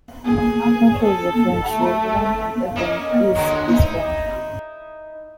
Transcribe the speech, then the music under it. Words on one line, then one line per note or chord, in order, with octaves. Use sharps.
Humphrey is a friend to everyone and everyone is his friend.
G#4
A4
A3
A#3 C#4 D#5
D3 G#3 F#4
D#4 E4